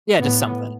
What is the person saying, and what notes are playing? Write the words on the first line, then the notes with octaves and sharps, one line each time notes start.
Yeah, just something.
A2 B3